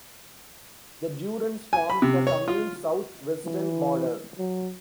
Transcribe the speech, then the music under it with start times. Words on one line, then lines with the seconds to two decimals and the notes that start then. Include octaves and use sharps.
The Durance forms the commune's south-western border.
1.73 G#5
1.90 B5
2.02 C3
2.27 C#5
2.48 F4
3.46 E3
4.38 F#3